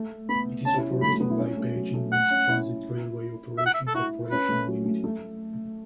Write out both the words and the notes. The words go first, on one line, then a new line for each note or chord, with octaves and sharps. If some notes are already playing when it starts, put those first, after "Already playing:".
It is operated by Beijing Mass Transit Railway Operation Corporation Limited.
Already playing: A3
B3 B5
C#4 A5
E4
F#3
A3 B5
A3
B3
E4
C#4
A3
F#3
A3
F#5
C#4
E4
E5
F#5
E5
A4
E4 F#4
C#4 B4
A3
F#3
A3
A3